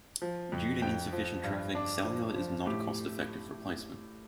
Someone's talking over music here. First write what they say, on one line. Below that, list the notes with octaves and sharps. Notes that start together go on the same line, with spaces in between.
Due to insufficient traffic, cellular is not a cost-effective replacement.
F3
F2
F2 G5
F3
G2
D4
F3
F3
A2 G4